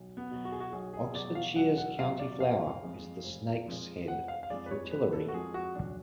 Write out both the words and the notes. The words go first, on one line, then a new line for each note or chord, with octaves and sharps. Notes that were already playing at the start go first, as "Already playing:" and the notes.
Oxfordshire's county flower is the snake's-head fritillary.
Already playing: B1
B3
B2 F#3
F#4
G#4
F#4
B1 G#4
G#4
B2 F#3 D5
F5
B1 F#5
F#5
B2 F#3 F5
D5
F1 F5
F2 F3 G#3
F1
F2 F3 G#3
F1 F#5
F5
F5
F2 F3 G#3 D5
B4
C#5
F1 B4
A4
F#4
F2 F3 G#3 G#4
F#4
B1 D4